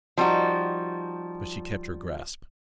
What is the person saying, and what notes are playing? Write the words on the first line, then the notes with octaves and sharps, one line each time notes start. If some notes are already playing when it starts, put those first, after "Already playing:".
But she kept her grasp.
F3 G3 D#4 F#4